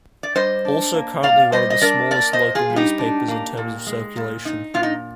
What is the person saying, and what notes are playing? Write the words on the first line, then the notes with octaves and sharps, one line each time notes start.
Also currently one of the smallest local newspapers, in terms of circulation.
D5
G3 C5 D#5
D4
A#3
A#2 D5 F5
G3 C5 D#5
D#5
D4 A#4 D5
A#3 A#4 D5
C5 D#5
A#2
F4 G#4
G3
D#4 G4
D4
A#3
A#2
G#3
A#2
D#4
A#2 F4
D#4